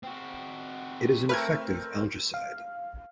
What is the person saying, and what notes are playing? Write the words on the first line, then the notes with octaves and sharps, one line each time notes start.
It is an effective algaecide.
C4 F#4
A3 C4 A#4 B4 F6 G#6
F5